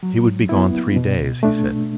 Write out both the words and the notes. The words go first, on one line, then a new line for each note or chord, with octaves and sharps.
He would be gone three days, he said.
F#3
B3 E4
B2
A3 D4